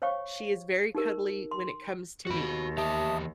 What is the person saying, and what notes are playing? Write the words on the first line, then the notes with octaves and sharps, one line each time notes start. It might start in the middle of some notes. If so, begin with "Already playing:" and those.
She is very cuddly when it comes to me,
C5 C#5 F5 G5 C#6
D#4 G4 A#4
C6
D#2 F#4 B5
E2 G4 E5 A5 D#6